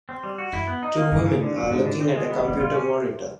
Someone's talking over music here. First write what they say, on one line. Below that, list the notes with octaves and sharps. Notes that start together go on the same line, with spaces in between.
Two women are looking at a computer monitor.
C4
G3
F#4
F#2 E4
B3
D#4
A#3
G2 C#3
C#3
D3
F#3
A2
G#2 D3
D3
C4
G#3
B3
A#2
B2 G3
A#2 F4
C#4